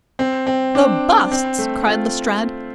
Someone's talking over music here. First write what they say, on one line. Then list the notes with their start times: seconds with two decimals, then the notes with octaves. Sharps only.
"The busts," cried Lestrade.
0.19 C4
0.47 C4
0.75 D4
1.31 C4
1.59 A3
1.86 F4